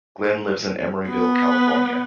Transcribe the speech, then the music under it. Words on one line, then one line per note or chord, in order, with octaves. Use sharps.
Glenn lives in Emeryville, California.
B3